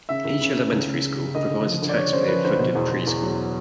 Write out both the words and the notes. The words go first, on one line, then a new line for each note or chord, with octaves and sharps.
Each elementary school provides a taxpayer funded preschool.
C#3 E5
C#2
C#3
C#3
C#2
C#3
C#3
C#3
D2 D#5
D2
F3
D2
D5
D2 C#5
C#3 C5
F3 B4
D2 C5
B2 C5
E2
E2
E2
F#3